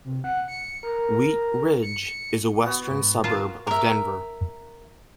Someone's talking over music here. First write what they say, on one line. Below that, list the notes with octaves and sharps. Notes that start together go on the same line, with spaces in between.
Wheat Ridge is a western suburb of Denver.
C3
F#5
C#7
A#4
C#7
B3 F#4
G#2
F4 A#4 A5
A#4 E5